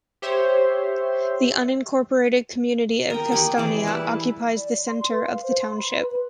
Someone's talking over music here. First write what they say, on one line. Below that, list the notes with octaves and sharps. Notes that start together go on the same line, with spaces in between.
The unincorporated community of Castanea occupies the center of the township.
G4 C5 C#5 E5 C6
A#4 D#5 G5
G4 G#5 B5 C#6
E3 G#4 D5
G3 E4 B4 A5
D5
C6
B4
F5
C5
C6
B5
B4
B4